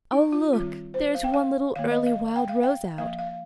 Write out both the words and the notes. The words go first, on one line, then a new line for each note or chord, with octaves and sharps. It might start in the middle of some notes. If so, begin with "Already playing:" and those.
Oh, look, there's one little early wild rose out!
D#4
F4
D#3 G3 C4 F4
C5
F5
G5
F5
D#3 A#3 F5
D#5
F5
G5
F5
G5
F3 A#3 F5
F5